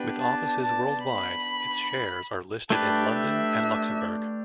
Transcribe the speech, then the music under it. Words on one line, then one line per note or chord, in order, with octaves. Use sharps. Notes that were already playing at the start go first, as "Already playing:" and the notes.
With offices worldwide, its shares are listed in London and Luxembourg.
Already playing: B3 D4 G4 B4
A5
A5
B5
A3 D4 G4 B4 A5
E5